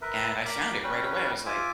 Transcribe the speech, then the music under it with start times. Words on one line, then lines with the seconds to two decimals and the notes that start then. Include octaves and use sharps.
and I found it right away. I was like,
0.02 A#4 B4 E5
0.45 A#4 B5 D6
0.83 G3 C#4 B4 G5
1.46 F4 E5 G#5 D6